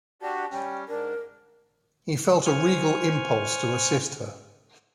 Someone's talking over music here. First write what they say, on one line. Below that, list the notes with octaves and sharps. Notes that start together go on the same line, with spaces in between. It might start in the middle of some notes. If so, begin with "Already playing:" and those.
He felt a regal impulse to assist her.
D4 F#4 G4 A5
G3 C#4 G5
G#2 D4 A#4
C5 G#5 C#6 F6